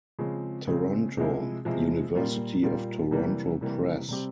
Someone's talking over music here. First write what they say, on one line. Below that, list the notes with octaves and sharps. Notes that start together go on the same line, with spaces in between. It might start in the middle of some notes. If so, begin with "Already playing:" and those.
Toronto : University of Toronto Press.
C#3 F3 G#3 C4
C#3 F3 G#3 C4
C3 F3 G#3 E4
C3 F3 G#3 E4
A#2 G3 A#3 F4
A#2 G3 A#3 F4
C3 E3 G3 A#3
C3 E3 G3 A#3
C3 G3 C4 G4